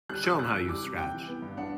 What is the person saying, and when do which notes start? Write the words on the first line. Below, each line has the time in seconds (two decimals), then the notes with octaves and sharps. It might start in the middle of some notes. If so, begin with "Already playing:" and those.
Show 'em how you scratch.
0.09 G3 F#6
0.24 C3 E6
0.39 C3 F#6
0.53 E3
0.68 G3 D6
0.83 C3
0.97 C3 G5
1.12 E3
1.28 B3
1.42 G2
1.57 D4 F#5